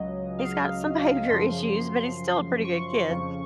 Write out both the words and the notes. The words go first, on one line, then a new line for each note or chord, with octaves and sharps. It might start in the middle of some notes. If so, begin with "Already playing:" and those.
he's got some behavior issues, but he's still a pretty good kid,
Already playing: C#2 C#3 F#3 D#5
F5
F#2 C#3 F3 C6
C6
C#6
F2 C#3 F3